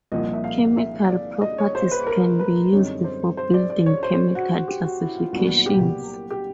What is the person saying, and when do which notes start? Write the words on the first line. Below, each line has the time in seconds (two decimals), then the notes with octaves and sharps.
Chemical properties can be used for building chemical classifications.
0.12 C2 A#2 F3 D#5
0.33 E5
0.44 F5
0.77 E5
1.09 D5
1.42 D#5
1.58 C#5
1.75 C5
1.91 B4
2.07 A#4
2.39 B4
2.72 F#2 D3 G3 C4 D#4 C#5
3.04 C5
3.37 C5
3.54 D5
3.70 D5
3.86 C#5
4.03 C5
4.35 F#4
4.68 G4
4.84 F#4
5.01 E4
5.17 F4
5.33 C2 A#2 F#3 B3 D4 F#4
5.66 G4
6.31 G4